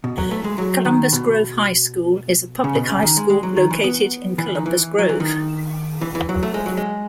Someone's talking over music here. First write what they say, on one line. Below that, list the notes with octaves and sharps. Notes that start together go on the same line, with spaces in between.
Columbus Grove High School is a public high school located in Columbus Grove.
B2
F#3
A3
G#3
F#3
D#3
B2
C#3
B2
C#3
D#3
G#3
G#3
F#3
D#3
E3
B3
E3
D#3
E3
F#3
E3
D#3
E3
E3
F#3
A3
G#3
F#3
G#3